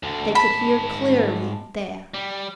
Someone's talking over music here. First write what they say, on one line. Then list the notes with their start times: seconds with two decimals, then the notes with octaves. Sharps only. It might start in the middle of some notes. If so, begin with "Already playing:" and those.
They could hear clearly there.
0.03 D2 D3
0.35 G#2 A5 B5
2.14 G3